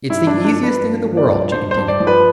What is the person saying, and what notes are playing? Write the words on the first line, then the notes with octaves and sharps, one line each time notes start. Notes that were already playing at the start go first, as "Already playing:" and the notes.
"It's the easiest thing in the world," she continued.
G2 E4
D4
F3
D4
F3
B4
G2
F3
D5
G2
G2 C5
C5
G2
D5
F3
B4